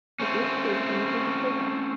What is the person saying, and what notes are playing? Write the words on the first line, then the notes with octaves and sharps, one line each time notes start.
The group creates images of protest.
A3 C4 C#4